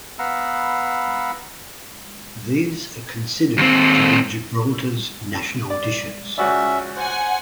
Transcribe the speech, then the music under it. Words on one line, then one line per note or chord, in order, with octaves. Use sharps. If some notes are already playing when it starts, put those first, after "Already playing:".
These are considered to be Gibraltar's national dishes.
B3 F5 F#5 A#5 B5 E6
D#2 C4
D5
C#2 C#4 F#4 D5 E5
C5 F#5 G#5